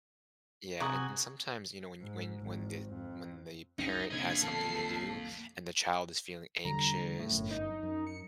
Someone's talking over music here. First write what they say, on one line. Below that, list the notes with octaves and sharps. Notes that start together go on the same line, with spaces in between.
Yeah, and and sometimes, you know, when y when when the when they parent has something to do and the child is feeling anxious,
C3 F#4 G#4 G#5 A#5 D#6
G#2
G#1
F2
C#2 F#2 C#4 D#4
D#1 C3 A#3 D4 D#5 G#6
B1 F2 A#2 A4 C7
E2 D3 G3 A#5
A2
G1 F#2
D#4
F#2
C#7